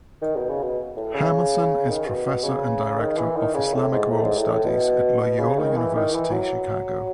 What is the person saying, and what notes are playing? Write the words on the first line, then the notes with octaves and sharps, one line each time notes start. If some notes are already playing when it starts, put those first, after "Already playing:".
Hermansen is professor and director of Islamic World Studies at Loyola University Chicago.
D#3
B2
C#3
B2
A2
C#3
D#3
B2
B2
C#3
D#3
E3
D#3
C#3
A2
G#2
A2
G#2
A2
A2
B2
B2
C#3
D#3
E3
D#3
E3
F#3